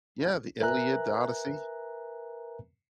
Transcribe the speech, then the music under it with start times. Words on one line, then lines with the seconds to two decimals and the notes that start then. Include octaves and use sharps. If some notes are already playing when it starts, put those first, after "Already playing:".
Yeah, the Iliad, the Odyssey.
0.61 A#4 B4 E5 G#5 A#5 F#6